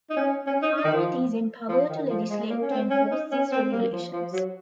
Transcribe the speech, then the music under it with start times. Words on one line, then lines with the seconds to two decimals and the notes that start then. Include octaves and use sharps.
Parliament is empowered to legislate to enforce these regulations.
0.10 D#4
0.17 C#4
0.47 C#4
0.62 D#4
0.77 D#4
0.85 D#3
0.93 F3
1.69 F3
1.89 D#3
2.10 F3
2.30 G#3
2.50 A#3
2.62 C#4
2.71 C4
2.90 C#4
3.12 D#4
3.32 C#4
3.52 C4
3.72 A#3
3.93 F3
4.13 F3
4.32 F#3